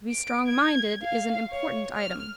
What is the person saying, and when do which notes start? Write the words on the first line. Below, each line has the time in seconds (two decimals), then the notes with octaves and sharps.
To be strong-minded is an important item.
0.11 D7
0.47 G#6
1.03 F5
1.50 C#5
1.97 F6